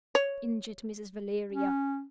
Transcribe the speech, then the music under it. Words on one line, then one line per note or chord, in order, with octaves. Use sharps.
Injured Mrs. Valeria!
C#5
C#4